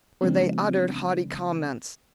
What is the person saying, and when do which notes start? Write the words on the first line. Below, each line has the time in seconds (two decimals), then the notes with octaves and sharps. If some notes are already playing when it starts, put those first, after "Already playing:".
Or they uttered haughty comments.
0.21 C#3 F3 G#3 B3 C4 D4